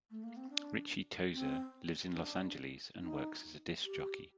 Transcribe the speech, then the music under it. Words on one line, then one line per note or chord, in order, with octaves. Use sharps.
Richie Tozier lives in Los Angeles and works as a disc jockey.
A3
A#3
C4
D4
C4
C4
D4
D#4
G4